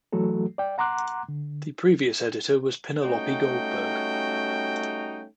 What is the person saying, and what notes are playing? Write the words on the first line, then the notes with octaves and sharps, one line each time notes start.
The previous editor was Pinelopi Goldberg.
E3 F#3 A3 F#4 A4
D5 G5
F#5 A#5 C6 D6 F#6
D3
G3 A3 C#4 D#4 F#4 G5